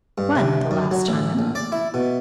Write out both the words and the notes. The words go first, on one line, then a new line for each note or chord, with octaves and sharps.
"One, the last time."
G2
C3
F#2
F#3
A1
A#1
D5
E4
B2